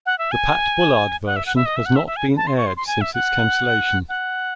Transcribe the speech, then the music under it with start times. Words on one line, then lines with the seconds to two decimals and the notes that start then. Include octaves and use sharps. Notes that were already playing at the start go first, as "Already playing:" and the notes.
The Pat Bullard version has not been aired since its cancellation.
0.06 F#5
0.18 E5
0.31 G#5
1.26 F#5
1.36 E5
1.46 F#5
1.56 E5
1.66 D#5
1.76 E5
1.86 F#5
1.96 E5
2.07 E5
2.16 G#5
2.37 A5
2.47 C6
2.57 C#6
2.66 C6
2.77 C6
2.87 G#5
3.01 E5
3.14 F#5
4.09 F#5